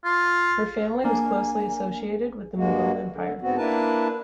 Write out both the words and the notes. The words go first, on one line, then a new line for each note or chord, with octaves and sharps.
Her family was closely associated with the Mughal empire.
F4
A#3 D4 G#5
G2 G#3 A#3 F#4
D3
G#2 B3 C4 F#4
A#3 D4 E4 A#4 B4 A5